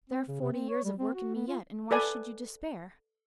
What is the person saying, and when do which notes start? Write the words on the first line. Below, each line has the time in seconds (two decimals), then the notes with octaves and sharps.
There are forty years of work in me yet, and why should you despair?
0.09 C4
0.28 C#3
0.40 C3
0.52 C4
0.69 C#5
0.84 G3
0.99 C4
1.14 F#4
1.34 B3
1.48 F4
1.91 A4 B4 D5 G#5